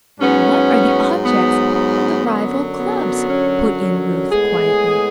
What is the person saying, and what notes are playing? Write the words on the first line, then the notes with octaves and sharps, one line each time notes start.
"What are the objects of the rival clubs?" put in Ruth, quietly.
G#2 F#3 B3 C#4
B3
B3
F#2 D3 F#3
B3
C#4
C#4
A2 G#3 B3 G#4